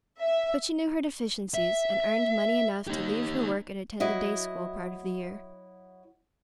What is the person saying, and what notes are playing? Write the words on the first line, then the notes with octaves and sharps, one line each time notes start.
But she knew her deficiencies, and earned money enough to leave her work and attend a day-school part of the year.
E5
E5
D#4 G4
F#3 E4 D#5